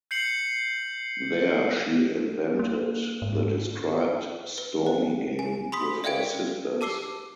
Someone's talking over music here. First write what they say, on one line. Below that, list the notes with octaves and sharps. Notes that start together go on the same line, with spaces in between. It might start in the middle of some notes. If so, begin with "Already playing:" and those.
There she invented the described "stormy game" with her sisters.
G6 C7 C#7 F#7
A#3
G#2
B4
C5
G#5
B5 C6 D#6 B6
D5 E5 F5 G5 G#6 D7
G4 A5 D6 E6 C7 G7